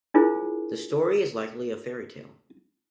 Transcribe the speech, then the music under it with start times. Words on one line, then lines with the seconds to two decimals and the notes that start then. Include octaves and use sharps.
The story is likely a fairy tale.
0.14 D4 E4 F4 G#4 A#4 C5